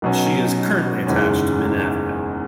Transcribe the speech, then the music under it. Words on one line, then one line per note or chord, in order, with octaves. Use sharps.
She is currently attached to Mint Avenue.
B1 B2 F#3 C#4
F#1 E2 D#3 G#3 C#4